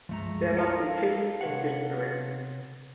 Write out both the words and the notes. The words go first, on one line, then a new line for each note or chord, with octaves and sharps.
There must be teeth in Big Three.
C#2 G2 F3 G#3 A3 A#5
A4 A#4 F5 A5 A#5
C3 C#5 F#5